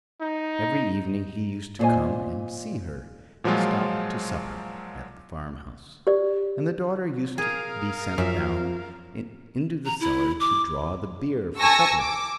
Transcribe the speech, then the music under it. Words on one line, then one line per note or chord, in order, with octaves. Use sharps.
Every evening he used to come and see her, and stop to supper at the farmhouse, and the daughter used to be sent down into the cellar to draw the beer for supper.
D#4
A#2 G#4 C5 C#5 D#5 G#5
A#2 F3 F#3 G#3 F4
G4 D5
G#4 A#4 F5
F#2 F3 E5
A#5
E4
D6
A4 G#5 A5 C#6 E6 A#6
D6